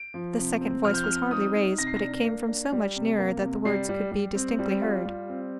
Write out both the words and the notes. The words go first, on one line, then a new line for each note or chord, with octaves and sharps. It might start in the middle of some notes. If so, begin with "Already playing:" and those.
This second voice was hardly raised, but it came from so much nearer that the words could be distinctly heard.
Already playing: D7
F3
C3
C4
F3 F6
G6
C4 F6
D#4 D#6
D#4
C3 A#6
C7
D4 A#6
A#3
D4
G3
C3
A#3
C3
G3 C7
G3
G3
C4
G3
F4
G3
C4